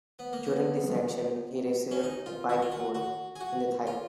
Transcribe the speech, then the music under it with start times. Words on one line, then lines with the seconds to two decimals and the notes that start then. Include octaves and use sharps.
During this action, he received a pike wound in the thigh.
0.19 B3
0.33 A#3
0.45 B3
1.91 C#4
2.03 D#4
2.26 F4
2.49 F#4
2.62 F4
2.72 F#4
2.95 F#4
3.36 G#4
3.41 F#4
3.87 F4